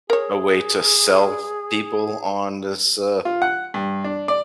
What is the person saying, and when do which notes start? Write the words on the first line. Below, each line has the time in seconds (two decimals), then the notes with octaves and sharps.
a way to sell people on this, uh,
0.10 G#4 A#4 C#5
3.25 F4
3.42 F#5
3.74 G2
4.04 D4
4.28 D5